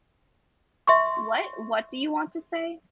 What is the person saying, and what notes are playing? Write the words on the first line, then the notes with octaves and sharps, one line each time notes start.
What? What do you want to say?...
E5 C6 C#6